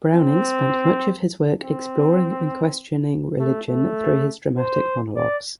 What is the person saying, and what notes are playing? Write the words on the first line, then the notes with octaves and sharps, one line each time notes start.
Browning spent much of his work exploring and questioning religion through his dramatic monologues.
C4
C4
A3
A3
C5
D5